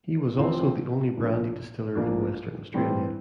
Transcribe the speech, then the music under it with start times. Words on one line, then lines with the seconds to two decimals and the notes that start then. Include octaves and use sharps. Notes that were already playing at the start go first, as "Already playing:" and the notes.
He was also the only brandy distiller in Western Australia.
0.38 A1 A2 F3 C4
1.17 A#1 A2 F3 A#3 D4
1.95 A#1 A2 F3 A#3 D4
2.74 A2 E3 G3 C4 G4